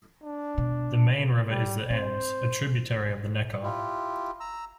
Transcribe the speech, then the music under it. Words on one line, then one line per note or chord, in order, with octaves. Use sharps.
The main river is the Enz, a tributary of the Neckar.
D4
B2
G3
C4 C5
E4 F4 G4
A#5 E6